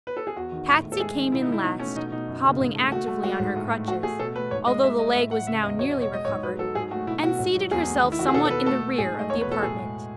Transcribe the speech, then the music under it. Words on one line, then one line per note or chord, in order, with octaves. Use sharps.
Patsy came in last, hobbling actively on her crutches, although the leg was now nearly recovered, and seated herself somewhat in the rear of the apartment.
B4
A4
G#4
E2 F#4
D#3
A2
A2
A4
G#3 G#4
D#3
B2 E4
D#4
G#3 E4
B2 D#4
A3 C#4
B2 D#4
B2 D#4
F#2
C#3
G#2
A3
A3 F#4
A3
G#3 F#4
G#2
A2
A3
A3 F#4
A3 G#4
B2 A4
A3 B4
G#2 C#5
G#3 D#5
A3 E5
A3 D#5
A2 E5
A2 F#5
C#3 E5
E2 D#5
F#3 C#5
B2 D#5
C#5
G#3 D#5
C#5
G#2
F#3 B4
F#3 A4
G#2 G#4
A3 F#4
B2 E4
B2 F#4
G#2
F#3
E2 G#4
A3
D#3
E4
D#3 F#4
G#4
B2 A4
A4
B2 B4
A3 A4
B2
G#2 G#4
A3 D#5
E2 C#5
B4
B2 A4
A2 G#4
G#3